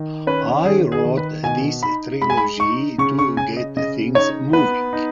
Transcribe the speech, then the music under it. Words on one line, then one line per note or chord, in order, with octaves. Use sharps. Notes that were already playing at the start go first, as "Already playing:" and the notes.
I wrote this trilogy to get things moving.
Already playing: D#3
C#4 B4
D#3 G#4
G#4
D#3
B4
B2 G#5
D#4 B5
G#3 B5
G#5
B5
D#4 C#6
C#3 C#6
C#6
C#3 G#5
D#5
C#3 D#5
D#4 C#5
B3 B4
D#4